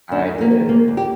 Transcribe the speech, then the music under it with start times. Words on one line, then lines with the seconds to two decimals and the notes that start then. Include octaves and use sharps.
I did.
0.12 D2 D4
0.31 D2
0.41 A#3
0.51 D#3
0.69 D2 A#3
0.88 D2
0.97 G4